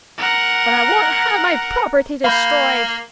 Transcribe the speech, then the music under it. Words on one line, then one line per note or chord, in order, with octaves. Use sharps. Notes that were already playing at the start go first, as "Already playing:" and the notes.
"But I won't have my property destroyed."
A#4 F#5
A#3 F5 B5 G6